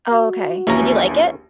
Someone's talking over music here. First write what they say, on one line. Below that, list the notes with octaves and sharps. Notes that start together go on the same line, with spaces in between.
Oh, okay. Did you like it?
F#4
A#1 D#2 E3 C#4 A#5